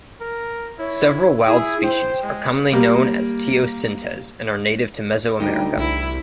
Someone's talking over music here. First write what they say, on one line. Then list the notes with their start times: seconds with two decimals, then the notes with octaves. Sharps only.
Several wild species are commonly known as teosintes and are native to Mesoamerica.
0.21 A#4
0.79 E4 C#5
1.47 E4 G#4
1.83 C5 G5
2.23 G#3
2.72 G3 A#3
5.40 D2 G3 D#4 D#5 G5
5.78 C2 E4